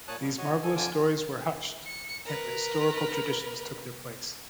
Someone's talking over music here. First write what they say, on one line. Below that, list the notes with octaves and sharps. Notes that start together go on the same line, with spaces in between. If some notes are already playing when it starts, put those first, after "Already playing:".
These marvelous stories were hushed and historical traditions took their place.
A#2 C#5 A5 D#6 F#6
F3 G3
F#4 C#5 D#5
A4 G#5
F2 D3 F4 G#5 A5 D6
C#7
A#4 B4